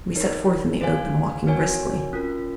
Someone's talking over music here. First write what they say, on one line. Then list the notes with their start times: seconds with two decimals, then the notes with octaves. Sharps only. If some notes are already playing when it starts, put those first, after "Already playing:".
We set forth in the open, walking briskly.
0.15 D#4 A#4 C#5
0.81 G#4 C5 F5 G#5
1.47 C4 F#4 A#4 C#5 G#5
2.13 C#4 F4 A#4